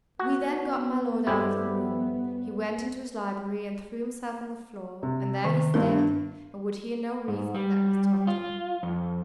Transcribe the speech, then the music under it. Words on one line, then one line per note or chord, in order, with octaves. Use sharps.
'We then got my lord out of the room; he went into his library, and threw himself on the floor, and there he staid, and would hear no reason, that was talked to him.
B3 F#4
G2 E4 G4 A4 C5
C3
D#3
G1 G2 A#4
G#2
G3
F4
F2